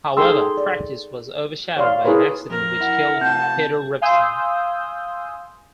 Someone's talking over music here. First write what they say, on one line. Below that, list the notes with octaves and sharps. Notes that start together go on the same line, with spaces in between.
However, practice was overshadowed by an accident which killed Peter Revson.
D#4 G#4 A4 G5 C6 E6
D5
C#5 D5 F5 C6
E4 G#4 A#4 B4 C#5
F2 A#4
E4 F#5
C3 F4 A5 G6
F5 G#5 C6 D#6 E6 G6